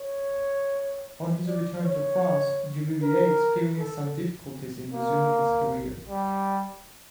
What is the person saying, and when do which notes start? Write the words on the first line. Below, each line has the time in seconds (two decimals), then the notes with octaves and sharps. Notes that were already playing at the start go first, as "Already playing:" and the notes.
On his return to France, Duvivier experienced some difficulties in resuming his career.
Already playing: C#5
1.48 D5
1.85 C#5
3.02 A#4
3.78 A4
4.94 A#3
6.09 G3